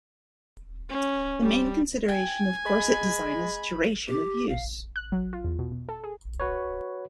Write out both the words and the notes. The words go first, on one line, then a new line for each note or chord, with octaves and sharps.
The main consideration of corset design is duration of use.
C#4
G3
G5 G#5
G#3 B5
G4
F5
F#6
F#3
F4
E2
B2
B2
A4
G#4
F#4 B4 C#5